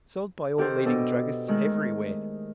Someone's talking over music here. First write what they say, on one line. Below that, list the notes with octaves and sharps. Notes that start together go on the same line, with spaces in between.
Sold by all leading druggists everywhere.
D#3 G4 A4 C5
B2 D4 A4 D#5
D#3 G#3 A3